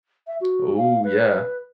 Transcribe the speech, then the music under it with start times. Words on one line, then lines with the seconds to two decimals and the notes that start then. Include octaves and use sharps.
Oh, yeah.
0.27 E5
0.41 F#4
0.77 F5
1.04 B4